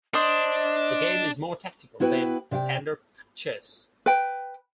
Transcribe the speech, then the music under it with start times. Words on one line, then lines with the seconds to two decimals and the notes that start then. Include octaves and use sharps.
The game is more tactical than standard chess.
0.14 D4 C5 D#5 D#6
2.00 B3 E4 F#4 B4 G5
2.51 C3 D5 F5 G5
4.06 B4 G5